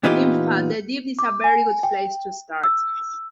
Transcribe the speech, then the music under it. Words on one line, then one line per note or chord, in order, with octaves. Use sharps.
In fact, the Deep is a very good place to start.
A#2 E3 B3 D#4 F4 G4
D6
G#5
G5
E6